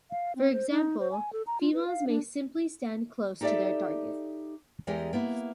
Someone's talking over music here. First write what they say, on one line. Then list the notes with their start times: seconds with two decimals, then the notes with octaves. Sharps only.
For example, females may simply stand close to their target.
0.11 F5
0.36 C4
0.52 C5
0.70 D#4
1.00 C5
1.12 G#5
1.33 A4
1.47 A#5
1.61 F4
1.73 B4
1.87 F5
2.08 D4
3.41 D#4 G4 A4 B4 D5 E5
4.87 E2 E3 G#3 G4 A#4
5.13 A#3 B3 E4